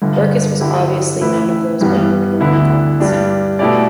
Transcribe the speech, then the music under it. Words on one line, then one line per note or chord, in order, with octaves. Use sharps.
Orcus was obviously one of those old Roman gods.
G1 G2 D3
G2 D3 G3 E4 G4
A1 A2 A3 E4 B4
G2 E3 G3 B3
D2 D3 B3 E4
G2 G3 D4
B2 A3 E4 G4 D5